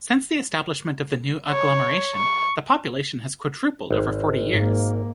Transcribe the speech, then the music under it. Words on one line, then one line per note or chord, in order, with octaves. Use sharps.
Since the establishment of the new agglomeration, the population has quadrupled over forty years.
C#5
C#6
G#1
G#2 A#3